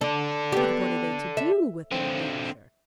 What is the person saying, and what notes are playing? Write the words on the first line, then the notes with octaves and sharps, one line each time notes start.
But what are they to do with their leisure?
D4 A4 D5
B3 G4
E5
D3 C4